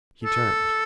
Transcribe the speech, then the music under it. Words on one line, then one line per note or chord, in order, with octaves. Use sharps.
He turned.
A4